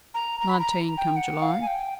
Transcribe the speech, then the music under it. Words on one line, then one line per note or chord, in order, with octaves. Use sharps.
'Nineteen, come July.'
A#5
A#5
B5
A#5
G5
F#5
F5
G#5
G5